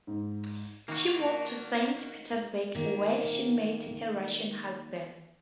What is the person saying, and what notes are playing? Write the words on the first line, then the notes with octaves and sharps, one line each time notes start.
She moved to Saint Petersburg where she met her Russian husband.
G#2
D#3 A#3 F#4
D#3 A#3